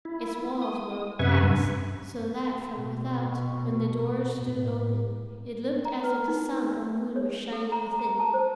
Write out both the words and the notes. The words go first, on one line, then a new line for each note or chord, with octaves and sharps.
Its walls were of brass, so that from without, when the doors stood open, it looked as if the sun or moon were shining within.
E4
D#6
F#2 C3 B4 E5 G#5 C#6
G2
B2
A2
A#5
B4
D#4
C#5
A4
A#5
A#5
A5
C5